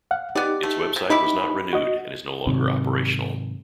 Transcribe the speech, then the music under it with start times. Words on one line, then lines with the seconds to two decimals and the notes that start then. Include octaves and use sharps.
Its website was not renewed and is no longer operational.
0.11 F5 F#5
0.35 B3 D#4 G4 D5
0.63 A3
0.96 C3
1.10 D#4 E4 G4 B4
1.73 F#4 D#5
2.46 G#2 C3 D#3 F#3